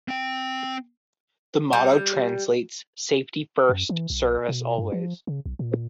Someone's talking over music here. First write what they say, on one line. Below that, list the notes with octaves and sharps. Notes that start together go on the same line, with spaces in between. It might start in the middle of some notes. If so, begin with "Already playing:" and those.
The motto translates "Safety First, Service Always".
C4 G5
G3
F#2
E3
B1
B2
G2
F3
C#3
B1
A#2